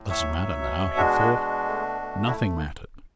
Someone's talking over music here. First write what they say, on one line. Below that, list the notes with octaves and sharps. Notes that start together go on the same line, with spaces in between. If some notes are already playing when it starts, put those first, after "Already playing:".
"It doesn't matter now," he thought. Nothing mattered.
Already playing: A2
C#5 E5
F#3
B2
G#3 D4 F#4
B2
A3
A3
E4